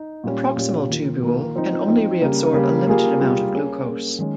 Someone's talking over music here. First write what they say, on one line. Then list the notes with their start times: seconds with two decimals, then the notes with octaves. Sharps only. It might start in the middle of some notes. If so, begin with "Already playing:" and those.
The proximal tubule can only reabsorb a limited amount of glucose.
Already playing: D#4
0.24 A#2 G3 C#4
0.56 A#2 G3 C#4
0.89 D#3 A#3 F4
1.22 D#3 A#3 F4
1.55 F3 C4 D#4
1.87 F3 C4 D#4
2.21 C#3 G3 A#3
2.53 C#3 G3 A#3
2.86 G3 A#3 F4 G#4
3.19 G3 A#3 F4 G#4
3.53 A#3 C#4 G#4
3.85 A#3 C#4 G#4
4.19 D#3 G#3 C#4